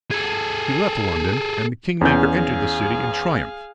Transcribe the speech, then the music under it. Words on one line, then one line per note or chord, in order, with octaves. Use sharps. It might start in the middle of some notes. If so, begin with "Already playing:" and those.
She left London and the kingmaker entered the city in triumph.
G#4 A4
E2 C#4 G#4 F5 G6